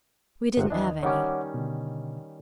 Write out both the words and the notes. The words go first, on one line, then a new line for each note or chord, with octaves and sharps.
"We didn't have any."
G1 C3 F#5
D#2 E3 D4 D#5
D#3 G3 C#4 C#5 F#5 D6
B2 D3